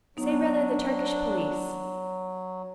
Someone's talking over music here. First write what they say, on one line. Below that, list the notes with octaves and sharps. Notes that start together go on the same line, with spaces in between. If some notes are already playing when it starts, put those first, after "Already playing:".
'Say rather the Turkish police.
F#3 B3 D4 D#4